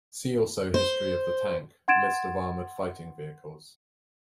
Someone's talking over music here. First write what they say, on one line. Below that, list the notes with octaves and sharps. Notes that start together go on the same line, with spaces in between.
See also history of the tank, list of armoured fighting vehicles.
C5
F#5 C6 G#6 A6 D7 E7